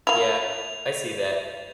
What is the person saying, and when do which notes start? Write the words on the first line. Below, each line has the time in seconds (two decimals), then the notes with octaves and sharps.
Yeah, I see that.
0.07 A#3 E4 F7